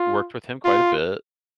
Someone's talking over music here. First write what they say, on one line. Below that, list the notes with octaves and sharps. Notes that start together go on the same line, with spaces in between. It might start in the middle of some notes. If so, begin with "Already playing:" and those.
worked with him quite a bit,
Already playing: F4
F4